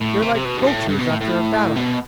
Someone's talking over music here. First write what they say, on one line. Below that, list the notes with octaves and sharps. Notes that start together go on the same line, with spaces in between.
"They're like vultures after a battle."
A2
C3
C3
B2
G2
A2
G2
B2
A2
A2
B2